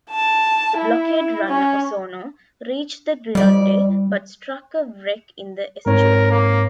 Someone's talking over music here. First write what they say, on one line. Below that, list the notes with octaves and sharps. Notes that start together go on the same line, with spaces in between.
The blockade runner "Osorno" reached the Gironde, but struck a wreck in the estuary.
A5
E4
C#4
F2 G3 D5
G#2 C4 A#4 C#5
A#3